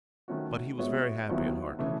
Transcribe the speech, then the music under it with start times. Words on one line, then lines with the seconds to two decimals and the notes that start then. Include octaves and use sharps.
But he was very happy at heart.
0.28 D#3 A3 C#4 F#4
0.78 G#3 B3 F#4 C#5 E5
1.29 D#2 D#3 F#3 B3 E4
1.79 C#3 E3 A3